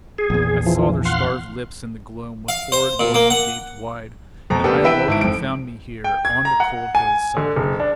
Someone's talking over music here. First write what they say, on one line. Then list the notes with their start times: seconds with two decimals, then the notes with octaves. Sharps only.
I saw their starved lips in the gloam, With horrid warning gaped wide; And I awoke and found me here On the cold hill's side.
0.18 G#4
0.30 A#1 E2
0.66 E3 F3
1.05 F5 F#5 C6
2.49 F5
2.72 C5
3.00 A#2
3.14 A#3
3.30 F#5
4.50 F2 B2 A#5
4.64 A#3 B3 D4 G4 A4
4.84 E3 B4 E5 G5 D7
5.08 G#1 E4 D7
5.21 F2 D7
6.04 G5
6.25 G#6
6.45 A#5
6.60 F#5
6.95 G#5
7.37 D3
7.56 F#1
7.80 D4